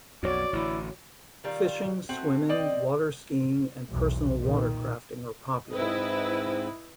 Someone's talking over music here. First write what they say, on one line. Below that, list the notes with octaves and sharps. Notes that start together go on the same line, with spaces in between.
Fishing, swimming, water skiing, and personal watercrafting are popular.
B1 F2 F#4 C#5 D5
A1 D3 E4
D#3 G3 F4
A3 C4 F#4
C4 D5 D#5 G5
B1 E2
A#2 D#3
G#2 C4 E4 B4 D#5